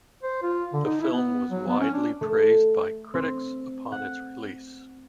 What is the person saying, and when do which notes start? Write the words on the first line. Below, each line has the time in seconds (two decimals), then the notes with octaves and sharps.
The film was widely praised by critics upon its release.
0.23 C5
0.43 F4
0.73 D3
0.85 D#4
1.01 E4
1.13 B3
1.51 F#3
1.68 B3
1.80 C#4
1.94 D4
2.21 A3
3.14 C4
3.92 F#5